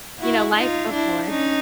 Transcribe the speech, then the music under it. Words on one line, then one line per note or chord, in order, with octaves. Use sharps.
you know, life before.
E4 F#4
D#4 F4
D4 E4
C#4 D#4